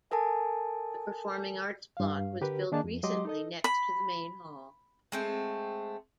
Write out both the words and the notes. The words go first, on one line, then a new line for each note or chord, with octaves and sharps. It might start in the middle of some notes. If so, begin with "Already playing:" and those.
The Performing Arts Block was built recently next to the Main Hall.
A4 A#4 G#5 A5
G2 F5
D3 G4 A#4 B4
D#3 A#3 D4 D#4 G#4 A5
F2
F#3 G#3 G4 D#5 C6 D6
D#4 A4 D#5
B5
G#3 A3 C4